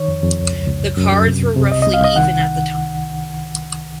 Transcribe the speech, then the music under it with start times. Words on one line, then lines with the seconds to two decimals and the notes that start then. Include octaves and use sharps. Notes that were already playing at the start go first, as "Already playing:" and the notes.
The cards were roughly even at the time.
Already playing: D#3 C#5
0.08 F2
0.23 F2
0.38 C#2
0.52 C#2
0.67 C#2
0.82 F#2
0.97 F#2
1.12 F#2
1.27 C3
1.41 C2
1.57 C3
1.71 C2 D#5
1.82 D#5
1.87 C2
1.94 F5
2.01 C2 D#5
2.15 D#3 F#5